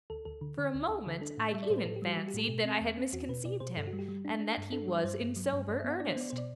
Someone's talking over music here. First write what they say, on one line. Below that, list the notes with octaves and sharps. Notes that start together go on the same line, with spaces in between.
For a moment I even fancied that I had misconceived him, and that he was in sober earnest.
D2 A4
D2 A4
D3
D3
D2
D2
D3
D4 A4
A2
G3 E5
D5
A2 C5
B4
A2 A4
G4
G3
F#4
G3 F#4
G4
A2 A4
B2
C4
E2
C4
E2 F#4
B2 B4
B2 D5
B2 C5
G2 A4
F#4
G3
G4
G3
D4
D4
G2
D4 A4
G3
G2 C5
G2
F#3
G2
G2 D5
E5
B3
F#5
D4 D5
C5
B3 D5
B2 C5
D5